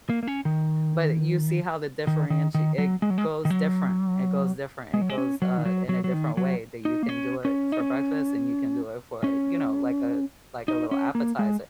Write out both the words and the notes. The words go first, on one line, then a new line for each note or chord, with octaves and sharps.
but you see how the differenti it goes different, it goes different, it goes, uh, in a different way that you can do it for breakfast and you can do it for, you know, like a s like a little appetizer.
A#3
A#3
C#4
D#3
D#3
D#3
D#3
F#3
G#3
F#3
G#3
D#3
F#3
G#3
F#3
G#3
C#4
F#3
D#3
F#3
F#3
F#3
D#3
F#3
D#4
A#3
C#4
C#4
D#4
C#4
C#4
D#4
C#4
A#3
G#3